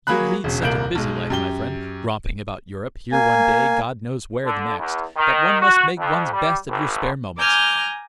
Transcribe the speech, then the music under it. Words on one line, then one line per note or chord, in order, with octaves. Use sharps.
You lead such a busy life, my friend, romping about Europe, here one day, God-knows-where the next, that one must make one's best of your spare moments.
F#3 A#3 G#4 B5 F#6
E1 C#3
D#1 C2 A#3 G6 D7 F#7
B1 G#3
F#2 G4 G7
A#3 G#5
D3
E2
D#3
F#4
F2
G3
G#1
G#5 A#5 D6 F6 G6